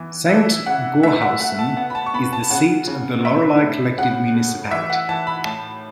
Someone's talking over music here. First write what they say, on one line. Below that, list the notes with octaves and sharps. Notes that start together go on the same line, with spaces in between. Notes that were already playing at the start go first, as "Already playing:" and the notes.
Sankt Goarshausen is the seat of the Loreley collective municipality.
Already playing: E3 B3
E3 E5
C#3 F#5
A3 E5
F#5
A3 F#5
A5
B3 F#5
B5
A5
C#6
B3 B5
A5
C#3 F#5
C#3
A2 E5
A2
C#3 F#5
A3
E3 E5
F#5
E3 A5
B5
A2 A5